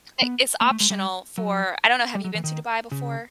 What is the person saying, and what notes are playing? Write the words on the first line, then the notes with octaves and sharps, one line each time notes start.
I it's optional for I don't know, have you been to Dubai before?
B3
A#3
A3
G#3
G3
F#3
G3
F#3
E3
D#3
C#3